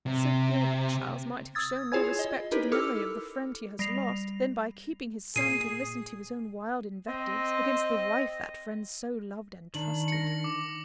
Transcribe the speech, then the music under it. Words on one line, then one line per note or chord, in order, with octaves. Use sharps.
"Sir Gilbert, Charles, might have shown more respect to the memory of the friend he has lost, than by keeping his son to listen to his own wild invectives against the wife that friend so loved and trusted."
C3
D#6 E6 G#6 A6
E4 F4 G#4 C#5 G#5 G#6
D#5
D#4 E4 G4 A#4 B4
E4 A4 D6 E6 F6
G3 A#6 C7 F7
A#2 G#4 C7 D#7
C4 D#5
D#3 D4 F#7
A#6 C#7
D6